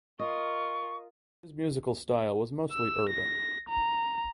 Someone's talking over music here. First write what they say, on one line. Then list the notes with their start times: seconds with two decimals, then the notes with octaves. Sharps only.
His musical style was mostly urban.
0.19 F4 A#4 D#5 C#6
2.72 E6
3.10 A#6
3.69 A#5